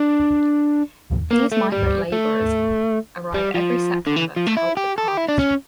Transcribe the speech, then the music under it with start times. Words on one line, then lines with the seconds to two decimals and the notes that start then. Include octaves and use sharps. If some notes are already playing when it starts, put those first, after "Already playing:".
These migrant laborers arrive every September to help with the harvest.
Already playing: D4
1.31 A#3
1.52 A3
1.72 G3
2.12 A3
3.34 G3
3.54 F3
4.07 D3
4.16 E3
4.36 F3
4.47 A3
4.57 E4
4.77 G4
4.98 A4
5.08 G4
5.17 E4
5.28 D4
5.39 C#4